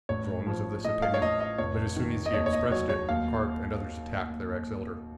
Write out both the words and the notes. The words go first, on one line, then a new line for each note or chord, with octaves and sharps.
Dron was of this opinion, but as soon as he expressed it Karp and others attacked their ex-Elder.
A1 C#5
F3
A2 D#5
F5
C#5
A1 D#5
D#5
F1 C#5
D#3
D#5
D#2 C#5
C#5
D#5
F#3 C#5
C#5
D#2 F5